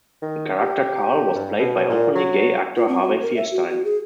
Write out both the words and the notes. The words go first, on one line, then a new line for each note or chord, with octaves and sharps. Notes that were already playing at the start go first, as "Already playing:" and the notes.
The character Karl was played by openly gay actor Harvey Fierstein.
D#3
G4
G2
B2
A#2
F#3
F4
C4
F#4
A#4
E5
F#4
F#4
G#4